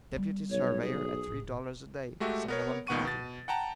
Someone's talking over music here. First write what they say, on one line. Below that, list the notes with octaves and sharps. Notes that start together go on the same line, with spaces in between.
Deputy surveyor, at three dollars a day, Sangamon County.
G3 B3
B1 C#5
G#4
D#1 A1
G#3 A3 F#4 G4 E5
B3 A#4 C#5
C#2 D#3 B3 F#5 C#6 D#7
B2 A6
F#5 G5 A5 A#5